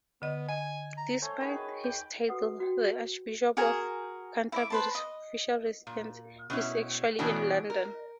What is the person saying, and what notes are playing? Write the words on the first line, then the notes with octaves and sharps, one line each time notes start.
Despite his title, the Archbishop of Canterbury's official residence is actually in London.
D3 B3 D#5
D#5 G#5
A#5
A3 C5 C#5 G#5
D#3 F#4 G#4 B4
G5 B5 D6
F#4 A4 B4 F#5
F#4 G5
F#4 G#4 A#4 G#5
E4 D6
B4 C5 A5
D#5
A#2
B2 C#4 E4
B2 E3 B3 C#4 D4 F#4
A#4